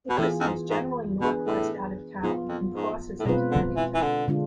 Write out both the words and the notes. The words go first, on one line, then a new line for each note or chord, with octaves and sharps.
It proceeds generally northwest out of town and crosses into Bennington.
B2
A2 E3 B3 F4 G#4
F2
G#2
G#2
B2 B3 D4 G#4 B4
A2
G#2 F3 B3 F4
F2
G#2
A2
G#2 B2 G#3 C4 F4 B4
D3
E3
E3
D3
D3 G#3 D4 F4